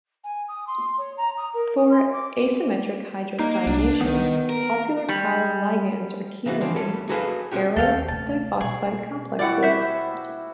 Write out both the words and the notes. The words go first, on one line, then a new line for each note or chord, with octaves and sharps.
For asymmetric hydrocyanation, popular chiral ligands are chelating aryl diphosphite complexes.
G#5
D#6
C6
C#5
A#5
D#6
A#4
D#6
C6
D6
A#3 D#4
C2 D4
D#3 B3
A#4
G3
C#3 E3 B3 F#4
E3 F3 C4 D4
G3 C#4 A4
F#4 G#4 A4 B4 F5
B2 D#3 C#4 F#4 G4
D#2 A4 F5 G5
C3 A3 A5
B2 G#4 C#6
G3 E4 F#4 D5 F#5
C5 E5